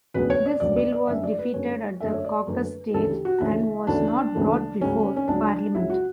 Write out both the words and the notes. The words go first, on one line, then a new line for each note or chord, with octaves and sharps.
This bill was defeated at the caucus stage and was not brought before Parliament.
E1 D2 C#3 F#3 B3 B4
C#5
D5
E1 D2 C#3 F#3 B3 D5
D5
D5
F#2 D3 A3 C#4 E5
D5
B4
F#2 D3 A3 C#4 C#5
F#2 D3 A3 C#4 E5
C#5
D5
F#2 D3 A3 C#4 B4
D2 C#3 E3 A3 A4
G4
F#4
D2 C#3 E3 A3 E4
D2 C#3 E3 A3 D4
D2 C#3 E3 A3
C#2 C#3 F#3 C#4
C#4
C#2 C#3 F#3 D4
C#2 C#3 F#3 E4
F#4